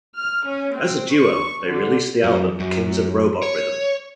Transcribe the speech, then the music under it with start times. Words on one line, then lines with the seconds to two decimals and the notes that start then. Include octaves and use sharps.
As a duo, they released the album "Kings of Robot Rhythm".
0.15 F6
0.46 C#4
0.74 C4
1.13 C#6
1.66 D3
2.23 F#2
2.60 F#2
3.42 C#5